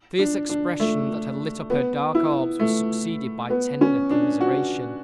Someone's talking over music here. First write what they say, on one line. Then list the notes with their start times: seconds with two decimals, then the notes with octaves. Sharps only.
The fierce expression that had lit up her dark orbs was succeeded by tender commiseration.
0.19 D4
0.49 D4
0.80 A3
1.70 B3
2.15 E4
2.60 A3
3.50 B3
3.81 C#4
4.11 D4
4.41 F#4